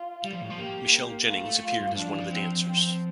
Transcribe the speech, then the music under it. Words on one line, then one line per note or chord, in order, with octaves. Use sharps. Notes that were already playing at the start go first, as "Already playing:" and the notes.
Michele Jennings appeared as one of the dancers.
Already playing: F4
G3
F3
A2
F3
A#3 G4
A3 F4
A3
F4
G2
F3 D4
E3
F3
C4
C4